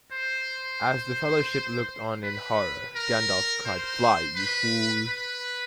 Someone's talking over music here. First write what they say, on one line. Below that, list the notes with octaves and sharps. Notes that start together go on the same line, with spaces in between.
As the Fellowship looked on in horror, Gandalf cried Fly, you fools!
C5
B4
A#4
C5
B4
B4